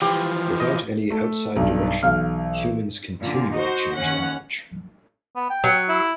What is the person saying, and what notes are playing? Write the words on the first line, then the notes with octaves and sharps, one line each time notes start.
Without any outside direction, humans continually change language.
E3 F3 G4
D#5
A3 A4
B1 G2
B1 E3 F5 F6
A#2 D3
D#4 F#4 C5
D#2 C#4 F#5
B3
G5
F#3
E4